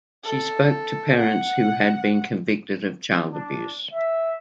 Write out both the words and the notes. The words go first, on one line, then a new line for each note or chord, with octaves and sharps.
She spoke to parents who had been convicted of child abuse.
A4
F#5
D4
E5